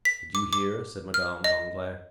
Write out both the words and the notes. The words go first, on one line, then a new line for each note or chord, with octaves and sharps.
"Did you hear?" said Madame Danglars.
B6
D6
D6
F6
D#5